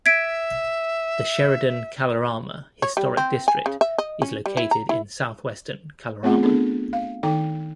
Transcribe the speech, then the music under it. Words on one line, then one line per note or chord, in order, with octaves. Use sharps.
The Sheridan-Kalorama Historic District is located in southwestern Kalorama.
E5 G#6 B6 D7
C#5
G3
C4
G#5
C#3
E5
D#5
C#4
G3
E4
A#5
E4
A3 B3 C4 F4 G#4 F#5
B3 D4 G#4 A4
F5
D#3 D#4 A4 G5 A#5